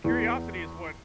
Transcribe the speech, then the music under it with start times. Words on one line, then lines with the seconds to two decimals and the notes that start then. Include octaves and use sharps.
curiosity is what
0.04 E2